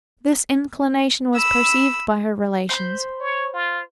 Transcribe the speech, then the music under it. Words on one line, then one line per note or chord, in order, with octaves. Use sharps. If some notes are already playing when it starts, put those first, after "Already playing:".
This inclination was perceived by her relations.
B5 E6
C5 B5 G6
C#5
F4